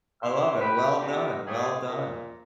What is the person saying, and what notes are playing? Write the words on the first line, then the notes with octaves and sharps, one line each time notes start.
I love it. Well done, well done.
E4 G#4 C6
G4 B4
A#2 B3 D#4 G4
A3 A#3 G4 G#4
A#2